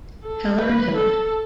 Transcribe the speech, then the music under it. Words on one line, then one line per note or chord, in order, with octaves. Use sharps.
Heller and Hiller.
A4
B4
A4